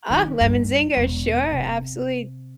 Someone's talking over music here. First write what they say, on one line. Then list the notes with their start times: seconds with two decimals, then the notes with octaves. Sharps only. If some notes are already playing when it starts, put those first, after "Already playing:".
Ah, lemon zinger, sure, absolutely.
0.10 D#3
0.41 G2
0.97 E1
1.51 C3